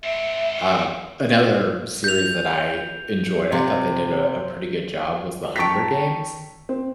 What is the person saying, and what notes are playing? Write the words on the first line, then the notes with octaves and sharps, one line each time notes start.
Uh, another series that I enjoyed, I thought they did a a pretty good job was the Hunger Games
G#2 C4 E5
G6 F7
C3
G5 A5 A#5 C#6 B6
C4